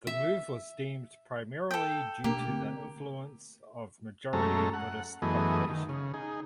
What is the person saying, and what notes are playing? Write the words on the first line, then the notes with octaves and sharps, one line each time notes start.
The move was deemed primarily due to the influence of majority Buddhist population.
E5
A4 G5
B2 A#3 D4 G4
D3 A3 C4
F#2 G#3 A3 C#4 A4 A#5
F#5
F#2 E3 A3 B3 G#4 D#5
D#3
C#3
D#4 G#4